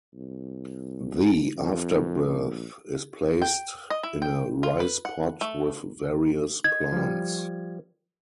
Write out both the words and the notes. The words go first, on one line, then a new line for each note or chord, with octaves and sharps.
The afterbirth is placed in a rice-pot with various plants.
C2
F2
A#1
G5
D#5
E4
G5
F4
B4
F#5
A3
D#5 G#6
F3 G3